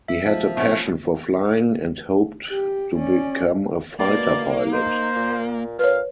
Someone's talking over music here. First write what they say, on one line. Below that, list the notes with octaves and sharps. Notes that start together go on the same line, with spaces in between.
He had a passion for flying and hoped to become a fighter pilot.
E5
F3
B2 A3 C4 C#4
G4
C#4 D5
B2 A#3 D5
D#4 C5
A#2
A#2 B4 C#5 F5